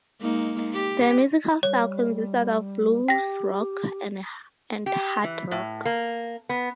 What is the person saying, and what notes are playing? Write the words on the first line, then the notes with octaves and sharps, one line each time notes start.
Their musical style consisted of blues rock, and hard rock.
G#3 A#3 D#4
G4
G3 C#5
G4 G5 A#6
G4
E3
A2
A#3
B3